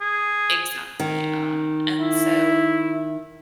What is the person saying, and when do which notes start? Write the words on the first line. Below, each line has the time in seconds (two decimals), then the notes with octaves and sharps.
exactly, um, and so,
0.01 G#4
0.99 D#3
2.00 E4